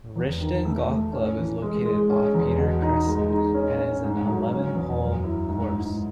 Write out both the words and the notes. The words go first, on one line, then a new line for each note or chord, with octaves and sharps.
Rishton Golf Club is located off Petre Crescent, and is an eleven-hole course.
E2
D#3
A3
A3
C#4
E3
G#3
G#3
C#4
E2
B2
D#4
G#3
D#4
C#4
C#4
G#2
F#3
C#4
E2
F#2
E4
G#2
G#2